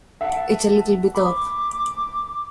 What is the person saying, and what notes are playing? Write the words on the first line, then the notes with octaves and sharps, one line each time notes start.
It's a little bit off.
E5 F#5 A5
B5 D6